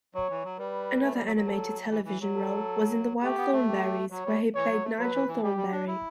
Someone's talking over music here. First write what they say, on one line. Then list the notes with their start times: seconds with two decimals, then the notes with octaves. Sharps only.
Another animated television role was in "The Wild Thornberrys", where he played Nigel Thornberry.
0.14 F#3 C#5
0.30 E3
0.44 F#3
0.59 G3 B4
1.03 A3
1.14 G3
1.25 F#3
1.36 F#3
1.47 A4
1.91 E3
2.05 E3
2.21 F#3
2.35 A4
3.23 A3 G4
3.37 B3
3.52 A3
3.67 G4
4.11 F#3 C#5
4.26 G3
4.55 E3 C#5
4.70 F#3
4.84 A3
4.99 F#3 B4
5.14 E3
5.28 E3
5.42 G3 G4
5.58 G3
5.72 D4
5.87 E4